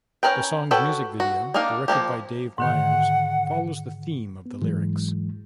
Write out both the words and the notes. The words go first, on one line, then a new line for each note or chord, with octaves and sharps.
The song's music video, directed by Dave Meyers, follows the theme of the lyrics.
C#4 E4 A#4 B4 G5
F#4 A4 B4 C#5 G5
F#4
A#3 D4 D#4 A#4 F5
F3 A3 A#3 G4
G#2 D3 D#3 F#5
B3
G#2 E3 F#3 G#3